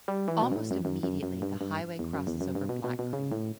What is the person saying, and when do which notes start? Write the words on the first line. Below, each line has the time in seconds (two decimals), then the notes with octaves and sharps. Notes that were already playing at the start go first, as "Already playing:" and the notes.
Almost immediately, the highway crosses over Black Creek.
0.08 G3
0.28 E3
0.42 B2
0.52 G2
0.56 A2
0.71 F#2
0.85 F#2
1.03 F#2
1.23 F#2
1.42 G2
1.61 G2
1.99 E2
2.13 F#2
2.27 E2
2.41 F#2
2.55 G2
2.69 B2
2.84 B2
2.99 B2
3.13 C#3
3.32 A2